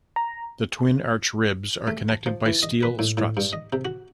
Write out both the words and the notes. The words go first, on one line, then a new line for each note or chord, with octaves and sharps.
The twin arch ribs are connected by steel struts.
A#5
A3
A5
F3
E3
D#5
B4
A2
A2
G2
D#5
C3
F#4